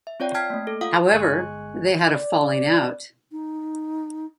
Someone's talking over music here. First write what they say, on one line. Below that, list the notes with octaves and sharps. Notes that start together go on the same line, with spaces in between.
However, they had a falling out.
E5
C4 F4 C#5 D5 G5
G5 A5 F6 G#6 B6 C7
A3 A#3
A4
F4 F5 F#5 D#6
G1 G#3 G#5 C#6 F#6
D5
D#4